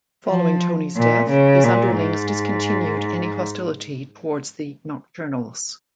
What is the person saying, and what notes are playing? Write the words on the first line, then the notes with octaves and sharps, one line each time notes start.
Following Tony's death, his underlings discontinued any hostility towards the Nocturnals.
F3
A#2
C#3
A#2
G#2